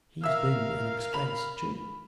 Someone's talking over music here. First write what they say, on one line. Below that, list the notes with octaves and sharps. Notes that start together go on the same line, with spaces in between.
He's been an expense too.'
A#4 E5 F5 E6
B5 F7